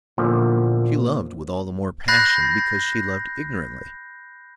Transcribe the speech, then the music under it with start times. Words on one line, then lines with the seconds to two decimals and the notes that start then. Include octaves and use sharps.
She loved with all the more passion because she loved ignorantly.
0.18 E2 A#2 D3 F3
2.08 B5 F#6 G6 A6 A#6 C7